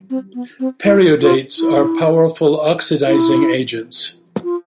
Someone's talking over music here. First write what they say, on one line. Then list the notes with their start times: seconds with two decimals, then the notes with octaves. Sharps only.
Periodates are powerful oxidising agents.
0.10 C4
0.34 B3
0.60 C4
0.85 E4
1.22 F4
1.59 E4
3.07 E4
4.43 F4